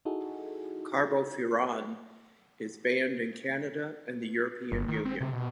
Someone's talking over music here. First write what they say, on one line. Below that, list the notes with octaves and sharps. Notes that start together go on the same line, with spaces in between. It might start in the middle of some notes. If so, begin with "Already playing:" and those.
Carbofuran is banned in Canada and the European Union.
D#4 E4 F#4 G#4 A4
G1
D#3
C4
C3
B2